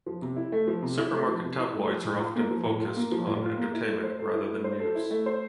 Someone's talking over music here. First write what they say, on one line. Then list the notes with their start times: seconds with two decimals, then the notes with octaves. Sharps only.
Supermarket tabloids are often focused on entertainment rather than news.
0.06 F3
0.22 C3
0.37 E4
0.52 A3
0.67 F3
0.83 C3
0.98 E4
1.13 A3
1.28 F3
1.44 C3
1.59 E4
1.74 A3
1.90 F3
2.05 A2
2.20 F4
2.36 A#3
2.51 F3
2.66 A2
2.81 F4
2.96 A#3
3.12 F3
3.27 A2
3.43 F4
3.58 A#3
3.74 E4
3.88 A3
4.04 C5
4.19 A4
4.34 E4
4.49 A3
4.64 C5
4.80 A4
4.95 E4
5.10 A3
5.26 C5